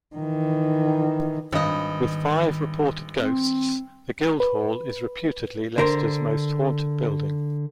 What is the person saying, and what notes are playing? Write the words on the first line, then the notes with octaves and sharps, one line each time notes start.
With five reported ghosts, the Guildhall is reputedly Leicester's most haunted building.
D#3 E3
G#1 G2 D#3 D#5
C4
B4
D3 A#4 C5